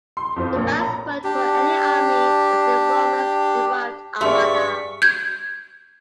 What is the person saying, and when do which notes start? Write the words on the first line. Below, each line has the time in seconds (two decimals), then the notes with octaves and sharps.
The Basque word for an army is the Romance-derived "armada".
0.17 C6
0.36 F2 F4 C5
0.56 A#1 A#3 C#5
0.81 A#5
1.24 D4 G4
4.21 G2 G4 G#4 D5 E5 C6 C#6 B6
5.02 G6 G#6